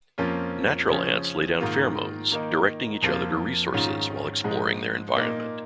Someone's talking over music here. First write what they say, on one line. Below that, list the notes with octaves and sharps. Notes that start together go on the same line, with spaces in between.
Natural ants lay down pheromones directing each other to resources while exploring their environment.
F2 F3 A#3 C#4 F4
C#3 F3 C#4
G#2 D#3 A#3 F4
D#3 A#3 D#4
F2 F3 A#3 F4
G#2 D#3 C#4 F4
G#2 F3 G#3
A#2 A#3 D#4